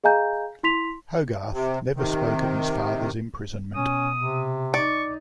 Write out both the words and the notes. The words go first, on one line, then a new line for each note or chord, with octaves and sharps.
Hogarth never spoke of his father's imprisonment.
G#4 D#5 F5 G#5 A#5 G6
E4 C6 B6 F7
C3
C3 D#3
B2 C#4 D#6
C3
D#4 D5 C#6